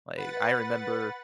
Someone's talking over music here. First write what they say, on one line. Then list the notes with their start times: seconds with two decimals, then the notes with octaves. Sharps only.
like, I remember
0.17 B4 F#5 A6